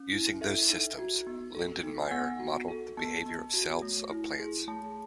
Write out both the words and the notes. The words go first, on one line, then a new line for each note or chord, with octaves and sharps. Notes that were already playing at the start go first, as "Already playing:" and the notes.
Using those systems Lindenmayer modelled the behaviour of cells of plants.
Already playing: C#4
E4
A4 E5
D#4
F#4
B3
A4
D#4
G#5
B3 F#5
F#4
A4
B3 A5
B3
F#4
A3
E4
G#4
A3 A5